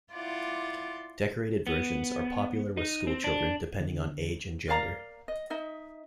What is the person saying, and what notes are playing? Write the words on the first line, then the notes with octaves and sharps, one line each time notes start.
Decorated versions are popular with schoolchildren depending on age and gender.
E4 F4 D5 F#5 C6 D6
B3
D#4
C4
D4
D3
A#4 D5 F5 A#5
D#5
D#4 D#5 E5